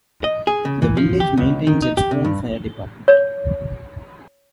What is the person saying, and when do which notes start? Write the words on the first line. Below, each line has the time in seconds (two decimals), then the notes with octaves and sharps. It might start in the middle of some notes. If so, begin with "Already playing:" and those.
The village maintains its own fire department.
0.24 D#5
0.47 G#4
0.65 C#3
0.82 E3
0.97 F3
1.20 G4
1.37 C#2
1.67 D#3
1.82 D#4
1.97 G4
2.11 C3
2.25 G2
3.08 C#5